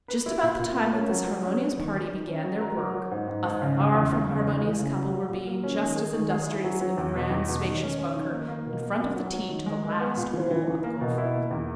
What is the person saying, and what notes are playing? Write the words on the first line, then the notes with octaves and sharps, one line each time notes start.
Just about the time that this harmonious party began their work, a far from harmonious couple were being just as industrious in the grand spacious bunker in front of the tee to the last hole on the golf-links.
B4
E4
A#2
A#2
A#3
C#4
F#3
F#3
C#4
B3
D#3
D#3
D#3
C#4
F#3
A#4
F#3
F#3
G#2
G#2
G#2
C#3
C#3
E2
E2
C#3
D#4
E3
C#3
F#3
F#3
A#2
A#3
C#4
D#3
G#4
D#3
G#4
E4
F#3
F#3
E2
B2
E2
B2
D#3
C#4
C#4
D#3
A#3
A#3
B2
A#3
F#3
F#3
F#3
D#3
G#3
G#3
B3
A#2
E3
E3
E3
A#3
B2
E4
A#3
E2